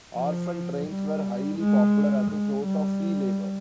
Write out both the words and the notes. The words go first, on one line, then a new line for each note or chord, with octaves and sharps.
Orphan trains were highly popular as a source of free labor.
F3
G3
G#3
G#3
G3